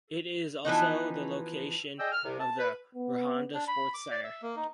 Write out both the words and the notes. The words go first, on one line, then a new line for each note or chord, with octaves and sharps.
It is also the location of the Rhondda Sports Centre.
E3 F3 B3 D#4
G#4 D5 D#5 G5 E6
F6
C2 C3
A5
B4
B3
D4
B5
D6
D5
E5
A#3
D#4